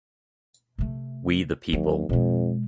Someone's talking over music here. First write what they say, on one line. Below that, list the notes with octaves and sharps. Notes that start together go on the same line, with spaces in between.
We the People!
C3 A3
D#2 F#3
F2 B2 G#3